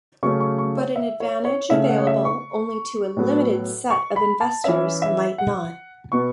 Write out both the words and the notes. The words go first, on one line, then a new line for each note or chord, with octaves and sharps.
But an advantage available only to a limited set of investors might not.
C#3 F#3 A3 C#4 C#6
C#6
C#6
C#5
E5
C#5
C#5
C#3 A3 C#4 E5
F#5
C#5
E5
C#6
A2 F#3 B3
C#6
B5
A5
E3 C#4 E5
E5
F#5
B2 B3 C#6